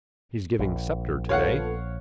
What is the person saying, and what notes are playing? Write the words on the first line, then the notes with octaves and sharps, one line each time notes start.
He's giving Sceptre today.
A#1
B3 F4 A4 C#5 F5 F#5